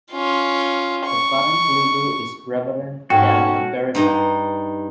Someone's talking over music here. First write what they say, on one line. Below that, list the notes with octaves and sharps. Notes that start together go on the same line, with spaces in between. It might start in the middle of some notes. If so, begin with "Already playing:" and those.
The current leader is Reverend Gavin Berriman.
C#4 F4
C#6
G#2 C#4 F#4 A4 G5
G2 D#4 D#5